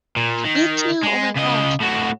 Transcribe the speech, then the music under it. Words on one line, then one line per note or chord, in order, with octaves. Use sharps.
Me too! Oh my gosh.
A#2
D#3
G#3
C#3 D#5
A2 F#4